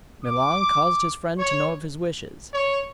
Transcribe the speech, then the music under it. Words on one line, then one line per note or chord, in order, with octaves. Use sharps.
Milon caused his friend to know of his wishes.
D6
C#5
C#5